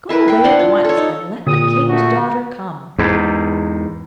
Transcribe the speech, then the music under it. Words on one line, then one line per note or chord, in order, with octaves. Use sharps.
Go away at once, and let the King's daughter come.
E4 A#4 B4 E5
B4 G5
D4 F#5 C6
F4
A4 C#5
D#4
A#2 D3 D#6
A3 F#4
E2 G#2